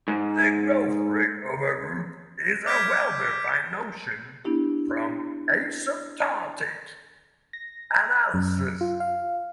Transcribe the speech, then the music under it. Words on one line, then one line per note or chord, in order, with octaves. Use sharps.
The growth rate of a group is a well-defined notion from asymptotic analysis.
G#2
D6 F6 G6 G#6 B6 D7
B3 D4 E4 G4
A#6
F#2
F4
F5